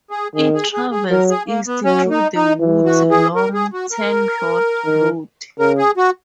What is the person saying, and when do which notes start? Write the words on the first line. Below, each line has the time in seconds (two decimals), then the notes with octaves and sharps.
It travels east through the woods along Ten Rod Road.
0.10 G#4
0.35 D#3 G#4
0.54 G#4
0.73 G#4
0.91 G#4
1.10 F#3 A#4
1.30 G#4
1.47 A#3
1.67 B3
1.85 F#3 C#4
2.10 D#4
2.36 D#4
2.60 E3
2.85 F#4
3.10 G#4
3.36 A#4
3.54 G#4
3.73 F#4
3.92 A#4
4.85 D#3
5.59 C#3 A#4
5.78 G#4
5.97 F#4